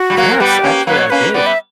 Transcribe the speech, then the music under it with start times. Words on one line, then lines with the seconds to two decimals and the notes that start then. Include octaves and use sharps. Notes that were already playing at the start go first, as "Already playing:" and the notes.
Yes, actually, I did.
Already playing: F#4
0.10 G3
0.17 F#3 A#3
0.31 A#4
0.40 G3 B3 G4
0.64 A#3 C#4
0.87 F#3 A#3 B4
0.99 C#5
1.10 A#3 C#4 B4
1.34 G3 B3 D5
1.46 E5